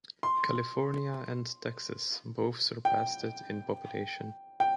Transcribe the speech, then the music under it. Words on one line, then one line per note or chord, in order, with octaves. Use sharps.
California and Texas both surpassed it in population.
C6
G5
G5